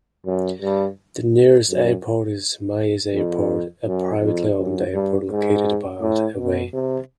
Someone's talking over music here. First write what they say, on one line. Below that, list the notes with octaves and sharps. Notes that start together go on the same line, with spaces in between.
The nearest airport is Mayes Airport, a privately-owned airport located about away.
F#2
G2
F#2
F2
F#2
F2
F#2
G2
G#2
A2
B2
C3